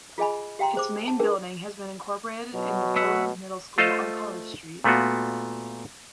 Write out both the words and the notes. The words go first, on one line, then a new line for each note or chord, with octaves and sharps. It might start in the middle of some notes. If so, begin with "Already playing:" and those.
Its main building has been incorporated into Poland Middle School on College Street.
F4 G#4 D#5 G#5 B5
G4 F5 G5 A#5 C6
G#4 C5 D6
A5
D4 G#4 A#4 B4
B2 F#3
B3 E5 F#5
A3 F4 A4 C5 D#5 F5
A#2 A3 B3 F4 F#4